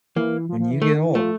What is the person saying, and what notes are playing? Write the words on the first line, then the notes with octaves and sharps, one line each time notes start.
when you get old,
E3 A#3
F3
F3
E3
D#3 A3
D3
D#3
E3
F3 A3